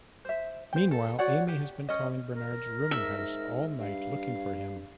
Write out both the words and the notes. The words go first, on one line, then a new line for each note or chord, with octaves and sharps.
Meanwhile, Amy has been calling Bernard's rooming house all night looking for him.
C5 E5
C5 G5
A4
F#4 C#5 D5 F#5
G4
C#4 D#5
A#4
G#2 E5
G2 F5